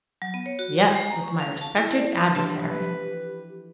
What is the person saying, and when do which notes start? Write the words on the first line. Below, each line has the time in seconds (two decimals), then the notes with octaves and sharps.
"Yes; it's my respected adversary."
0.22 F#3
0.34 B3
0.46 C#5
0.59 F#4
0.78 G4
0.95 G#3
1.10 A#5
1.23 C#6
1.40 F5
1.61 A5
1.77 E4
1.94 D5
2.35 E3 F3 A3 D4 G4 B4 A5 C6